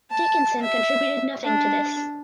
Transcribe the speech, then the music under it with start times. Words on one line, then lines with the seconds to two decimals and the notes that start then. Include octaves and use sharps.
Dickinson contributed nothing to this.
0.10 A5
0.62 E5
1.43 D4